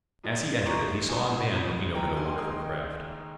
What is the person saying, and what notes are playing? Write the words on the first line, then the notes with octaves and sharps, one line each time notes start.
As he entered it he saw a man looking over the wonderful craft.
C2 A#2 G#3
C6
C2 A#2 G#3 A#5 C#6
C#2 C#3 F3 G#5 C6
C#2 C#3 F3
D#2 D#3 G#3 G5 A#5
G#5 C6
D#3 G#3 C6 D#6